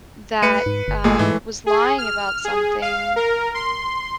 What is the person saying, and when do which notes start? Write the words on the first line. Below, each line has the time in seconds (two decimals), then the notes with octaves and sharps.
that, uh, was lying about something,
0.42 A3 B4 C#7 D#7
0.66 G#2
0.88 G1
1.04 A#2 G#3 A3 G#4
1.19 G#2 E3
1.66 G#4
1.98 F6
2.45 G#4
2.82 F5
3.16 A#4
3.54 C6